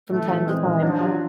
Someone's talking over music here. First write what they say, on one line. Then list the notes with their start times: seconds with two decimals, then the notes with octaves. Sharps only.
from time to time,
0.10 E3 A3
0.28 E3
0.47 G#3 C4
0.65 E3
0.82 F#3 D4
0.91 F3
0.99 F#3 F4